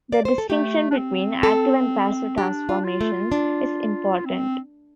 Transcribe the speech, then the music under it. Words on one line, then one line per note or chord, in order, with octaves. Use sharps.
The distinction between active and passive transformations is important.
D5
C5
A4
A3 G4
D4
C4
A4
D4 G4
F4
F4
A3
D4
C4